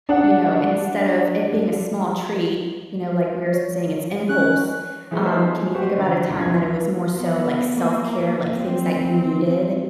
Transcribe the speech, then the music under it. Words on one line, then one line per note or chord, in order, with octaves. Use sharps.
you know, instead of it being a small treat you know, like we were s-saying it's impulse. Um, can you think about a time that it was more so, like, self-care, like, things that you needed?
D4 F#5
C#5
C#4 F#6
E3 F3 G#3 A3 B3
B3 D#4 G#4 C5 C#5 E5
F#4 G4 C5 C#6
D3 E3 A6
D2 C3
F1 D2 B3 G#6
B3
A#3
C4